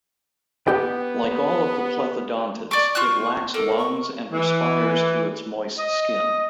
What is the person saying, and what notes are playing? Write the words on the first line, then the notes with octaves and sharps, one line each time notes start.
Like all of the plethodontids, it lacks lungs and respires through its moist skin.
B3 G4 G5
D5 C#6 D6
F4 C5 C#6 F#6
A#3 A4
C#6
E3
D#5